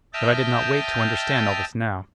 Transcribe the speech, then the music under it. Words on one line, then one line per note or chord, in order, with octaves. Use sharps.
But I did not wait to understand all this now.
D#5 E5 G5 A5 F6 G6